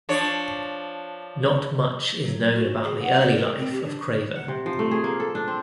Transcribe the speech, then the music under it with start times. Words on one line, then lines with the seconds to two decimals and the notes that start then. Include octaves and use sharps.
Not much is known about the early life of Craver.
0.09 F3 D4 C#5
2.24 F#3
2.54 F#4
2.83 G#4
3.02 F#5
3.22 D5
3.36 A#4
3.58 C4
3.72 G4
3.85 D4
4.36 F#5
4.48 C3
4.66 F3
4.79 A3
4.91 G#4
5.04 A#3
5.20 A4
5.35 D4
5.48 C4